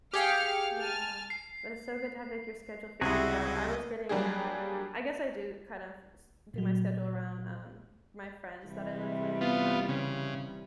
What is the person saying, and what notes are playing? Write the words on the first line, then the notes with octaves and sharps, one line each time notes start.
Yeah. But it's so good to have, like, your schedule figured out. I was getting, um, I guess I do kind of s do my schedule around, um, my friends that I live with, um,
G4 G#4 F5 G5 F6 C#7
G#5 A5 F6
C7
C#2 C3 G3 E4 F#4 G#4 D#5
F#3 G3 A#3 D4 G4 G#4
A#2 F#3
C3 E3 G3
B3 F4
C#3